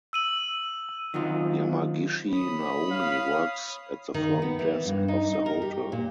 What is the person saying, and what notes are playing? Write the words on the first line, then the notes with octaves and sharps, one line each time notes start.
Yamagishi Naomi works at the front desk of the hotel.
E6 D#7 F#7
D#3 F#3 C4 F4
C#5 B5 D#6
F5
D#3
B3
E3
G2
D#4
D#4
A#4
G4
A#2